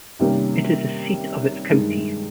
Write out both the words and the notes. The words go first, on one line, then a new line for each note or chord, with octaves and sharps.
It is the seat of its county.
C3 D#3 G3 A#3 C#4
G2 D#3 G#3 D#4